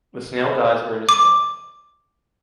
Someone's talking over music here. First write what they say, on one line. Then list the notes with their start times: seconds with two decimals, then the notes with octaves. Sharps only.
The snail dies where it is born.
1.09 D6